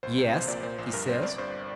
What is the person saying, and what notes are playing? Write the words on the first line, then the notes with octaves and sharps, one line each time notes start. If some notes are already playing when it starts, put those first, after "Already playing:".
"Yes," he says.
C2 C5
C3 C5
A#1 C5
A#2 D5
A#2 C5
A#1 C5
G2 A#4
C4 C5
G1 D5
G2 C5